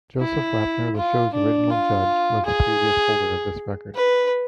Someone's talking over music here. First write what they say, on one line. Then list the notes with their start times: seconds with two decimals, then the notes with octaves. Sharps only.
Joseph Wapner, the show's original judge, was the previous holder of this record.
0.20 E4
0.96 F4
1.34 D4
1.70 F4
2.46 G#4
3.95 B4